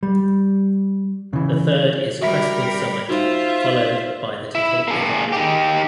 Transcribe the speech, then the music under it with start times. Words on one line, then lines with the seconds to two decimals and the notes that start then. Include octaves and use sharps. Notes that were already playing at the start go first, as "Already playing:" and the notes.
The third is Crestwood Summit followed by the Tecate Divide.
0.03 G3
1.33 C#3 E3
2.21 G3 F#4 A#4 E5 B5 B6
3.09 D#4 F4 F#4 C5 E5
4.55 E4
4.88 A#3 G#4
5.32 D#3 G4